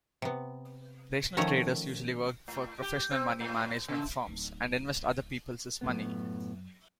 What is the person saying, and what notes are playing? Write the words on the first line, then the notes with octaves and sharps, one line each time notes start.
Rational traders usually work for professional money management firms, and invest other peoples' money.
C3 B3
D#3 F3 A3 C#4 C#5 A#5
A2
G4
C4
A2
C#3
D1 D#4
F#2 A2 F#3 B3